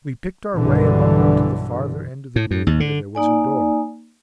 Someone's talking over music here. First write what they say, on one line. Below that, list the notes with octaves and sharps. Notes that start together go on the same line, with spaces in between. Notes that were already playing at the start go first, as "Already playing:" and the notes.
We picked our way among them to the farther end of the room where there was a door.
B1 G2 B2 D3 E3
A2
F#2
D#2
D3
A#3 D#4 D5 G#5